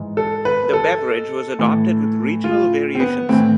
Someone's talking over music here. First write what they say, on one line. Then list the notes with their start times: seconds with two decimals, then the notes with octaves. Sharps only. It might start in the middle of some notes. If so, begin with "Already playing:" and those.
The beverage was adopted with regional variations.
Already playing: G#2 E3
0.17 A4
0.45 B4
0.73 A4
1.59 A2 E3
2.44 F4
2.95 C4
3.00 B3
3.29 A2 E3 C4